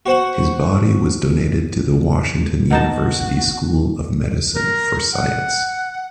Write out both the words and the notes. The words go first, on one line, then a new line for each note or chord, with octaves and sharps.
His body was donated to the Washington University School of Medicine for science.
F#4 C5 F#5
B2 D#4 F#4 A5
A#4
F#5